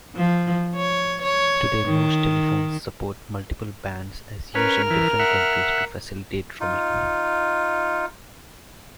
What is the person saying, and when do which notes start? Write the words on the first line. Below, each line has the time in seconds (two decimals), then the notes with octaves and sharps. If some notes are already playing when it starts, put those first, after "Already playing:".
Today, most telephones support multiple bands as used in different countries to facilitate roaming.
0.15 F3
0.76 C#5
1.22 C#5
1.87 D#3
4.55 C#4 A#4 B4 F6
4.90 E3
5.19 E5 F#5
6.60 D#4 F4